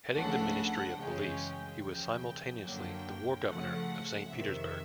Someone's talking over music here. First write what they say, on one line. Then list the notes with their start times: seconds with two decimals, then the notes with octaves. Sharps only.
Heading the Ministry of police, he was simultaneously the War Governor of Saint Petersburg.
0.13 C#2 C#3 F3 A3 D4 F#5
0.97 F#2 C#3 E3 G#3 C#4 G5
1.80 D#2 C#3 F3 G5
2.63 F#2 D3 F#3 A#3 G5
3.46 C#3 F3 A3 F#5
4.29 F2 C3 D#3 E5